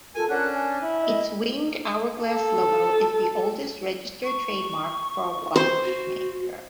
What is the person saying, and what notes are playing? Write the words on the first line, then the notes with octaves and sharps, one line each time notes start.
Its winged hourglass logo is the oldest registered trademark for a watchmaker.
F4 A4 A#4 G#5
C#4 D4 A#4 F#5 F#6
G#5
E4
D#5
A4
C#6
C5
F#4